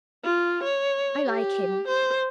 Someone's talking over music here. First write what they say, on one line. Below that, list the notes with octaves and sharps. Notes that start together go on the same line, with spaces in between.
I like him.
F4
C#5
G4
C5